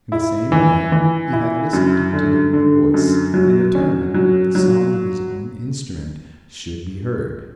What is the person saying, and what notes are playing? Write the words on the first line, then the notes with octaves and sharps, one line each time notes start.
In the same way he had listened to the human voice, and determined that the song of his own instrument should be heard.
E4
E3
E3
E4
F#2
D3
D3
F#2
F#3
C#4
F#3
F#3